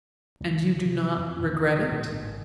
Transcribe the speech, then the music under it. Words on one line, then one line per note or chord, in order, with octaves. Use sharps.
"And you do not regret it?"
C#2
C3
F2
C#2 A#2 D3 D#3
A2 D3 G#3 B3
G#1 G#2 C#3